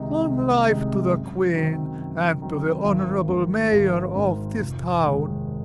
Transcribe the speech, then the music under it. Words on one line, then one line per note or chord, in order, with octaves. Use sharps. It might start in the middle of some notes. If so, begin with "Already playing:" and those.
Long life to the queen and to the honorable mayor of this town!
Already playing: C2 C3 D#3 G#3 D#4
C2
C3 D#3 G#3 D#4
F#2
D#3 F#3 C4
F#2
D#3 F#3 C4
G#1
G#2 D#3
G#1
G#2 D#3
F1
D#2 D#3 G#3